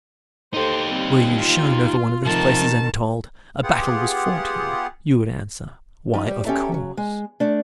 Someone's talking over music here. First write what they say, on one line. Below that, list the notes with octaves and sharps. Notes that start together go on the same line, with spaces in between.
Were you shown over one of these places, and told, "A battle was fought here," you would answer, "Why, of course!"
D#4 G4 A4 C5
G3 C4
F4
C3 D#3 F3 A5
B3 F4 G4 G#4 F#5
F3 D#4
G3
C#4 G4 A4 E5 A#5
C#3 F#3
G#3
A3 D4